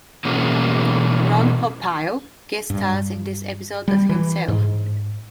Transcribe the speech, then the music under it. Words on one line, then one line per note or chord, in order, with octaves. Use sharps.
Ron Popeil guest stars in this episode as himself.
B2 E3 G#3 A#3 C#4
G2
G3
E3
G#2